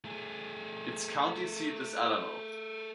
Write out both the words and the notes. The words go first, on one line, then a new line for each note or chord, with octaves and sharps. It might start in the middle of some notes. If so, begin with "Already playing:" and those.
Its county seat is Alamo.
A3 G#4